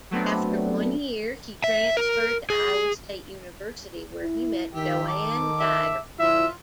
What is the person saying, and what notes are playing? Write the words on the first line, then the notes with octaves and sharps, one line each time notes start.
After one year, he transferred to Iowa State University where he met JoAnn Geiger.
F#3 A3 B3 C4 D4
E5
A#4
G#4
E4
D#3 G4 E5
A4 D6
E5
D3 F3 E4 F4 E5